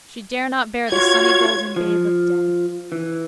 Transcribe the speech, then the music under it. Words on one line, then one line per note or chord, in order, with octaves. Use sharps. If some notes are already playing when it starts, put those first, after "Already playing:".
She dare not bear the sunnygolden babe of day.
F4 F#4 C#5 G#6
F3
E3